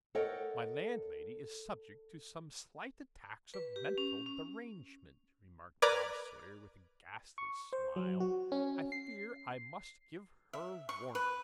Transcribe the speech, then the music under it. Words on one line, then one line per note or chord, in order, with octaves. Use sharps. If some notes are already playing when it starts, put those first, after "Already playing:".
'My landlady is subject to some slight attacks of mental derangement,' remarked Bob Sawyer, with a ghastly smile; 'I fear I must give her warning.'
A4 A#4 C#5 D#5 F#5 G5
B4
G4
C#4
C#4
A#4 B4 D5 D6 G#6
C#6
C5
F#3
F#4
C#4
C7
E5
C#6
B4